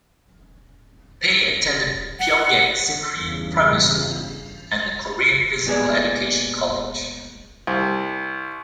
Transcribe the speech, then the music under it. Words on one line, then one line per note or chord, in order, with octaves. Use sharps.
Pae attended Pyongyang Sinri Primary School and the Korean Physical Education College.
F#5
G1 E2 G2 C#3
A#2 G#3 B3 G#4 D5
C2